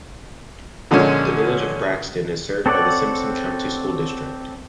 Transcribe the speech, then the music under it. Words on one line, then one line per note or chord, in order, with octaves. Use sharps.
The Village of Braxton is served by the Simpson County School District.
A#2 D3 F3 G#3 C#4
C4 A4 C#5 D5 F#5